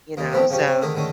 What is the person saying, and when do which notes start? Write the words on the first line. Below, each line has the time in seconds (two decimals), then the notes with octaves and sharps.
You know? So
0.17 D#2 A#3 D#4
0.32 F3 A3 B3 C4 E4
0.50 C#3 F3 G4 C#6
0.67 C4 C#4
0.81 D3 D#3 A3 G#4 A#4
0.94 D3 D#3 G#3 A3 C#4